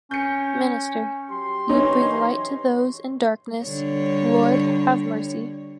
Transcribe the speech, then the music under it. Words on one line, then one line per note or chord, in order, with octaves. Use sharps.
Minister: You bring light to those in darkness: Lord, have mercy.
C#4 G6 C#7
F#3 G4 C6
E3 C#4 D#4 C#5
D3 G3 C#5